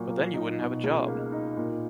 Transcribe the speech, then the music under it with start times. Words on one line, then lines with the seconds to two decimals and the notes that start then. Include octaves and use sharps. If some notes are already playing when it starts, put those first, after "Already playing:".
But then you wouldn’t have a job.
Already playing: A#2 F#3
0.10 A#3
0.34 D#4
0.59 B2
0.84 C#2
1.08 A#3
1.32 D#4
1.57 A#2